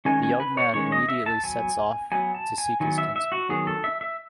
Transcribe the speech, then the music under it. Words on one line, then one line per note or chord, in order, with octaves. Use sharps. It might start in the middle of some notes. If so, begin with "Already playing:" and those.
The young man immediately sets off to seek his kinsman.
D#3 G#3 C#4 G#5
G#5
B4
C#5
D#3 G#3 C#4 C#5
D#5
E5
A5
F#3 B3 G#5
F#3 B3 G#5
A5
G#5
D#3 F#3 B3 G#5
E5
E5
F#4
D#3 F#3 B3 G#4
A4
E5
E5